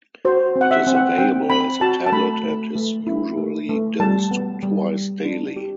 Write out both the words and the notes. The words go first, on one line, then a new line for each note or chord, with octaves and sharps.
It is available as a tablet and is usually dosed twice daily.
F#4 C5
C4
F#5
E5
C4
F#5
C4 G5
C4 B5
F#4 A5
A5
A3 B5
A3
A3
E4
A3
A3
G3 A5
B3
G3
G3
D4
G4